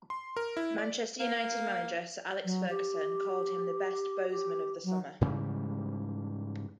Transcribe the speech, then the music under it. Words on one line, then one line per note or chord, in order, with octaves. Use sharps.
Manchester United manager Sir Alex Ferguson called him the "best Bosman of the summer".
C6
A#4
E4
D5
A#3
F#3
G4
G4
F#3
G#2 C#3 E3 G3